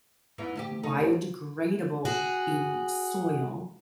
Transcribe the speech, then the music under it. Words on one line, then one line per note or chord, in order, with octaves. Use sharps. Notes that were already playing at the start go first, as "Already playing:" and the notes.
biodegradable in soil,
E2 G#2 E3
D2 E4 G4
D#4 A4
D#2 C4
F#4 G#4